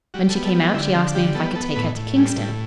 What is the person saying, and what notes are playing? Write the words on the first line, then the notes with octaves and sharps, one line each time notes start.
When she came out she asked me if I could take her to Kingston.
G3 F#4
A4
B3
A4
G3
F#4
D3 E4
D3 C4
G3 G4
B3 A4
B3 A4
A2 B4
A2
G3
A2